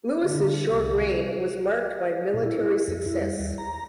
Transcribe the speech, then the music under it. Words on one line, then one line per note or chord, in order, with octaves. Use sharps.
Louis's short reign was marked by military success.
D3
C2
A#2
E4
E4
F2
E4
G3
D#2
A#5